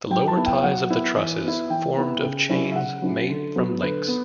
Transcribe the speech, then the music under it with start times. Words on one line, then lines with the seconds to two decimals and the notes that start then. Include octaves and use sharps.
The lower ties of the trusses formed of chains made from links.
0.10 F#3 G5
0.28 A5
0.37 B3 E4
0.46 G5
0.63 F#3 F#5
0.90 B3 E4
1.16 E3
1.44 B3 E4
1.70 E3 G5
1.97 B3 E4
2.22 C#3
2.49 F#3 C#4 E4
2.72 E5
2.75 C#3 F#5
3.02 F#3 C#4 E4
3.29 D3
3.56 F#3 B3
3.82 D3 B4
4.08 B3